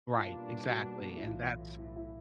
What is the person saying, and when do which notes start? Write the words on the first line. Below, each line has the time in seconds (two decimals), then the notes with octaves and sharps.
Right, exactly, and that's
0.14 B2 G3 A#3 D4 F4
0.69 F#4
1.17 E4
1.24 B1 A2 E3 F4
1.78 E4
1.96 E4